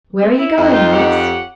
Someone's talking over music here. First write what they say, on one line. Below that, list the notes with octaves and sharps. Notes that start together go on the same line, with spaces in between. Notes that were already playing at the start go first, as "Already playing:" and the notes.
'Where are you going, Hans?'
C4
E4
F2 D#4
F4 G5
G4 C#5 F#5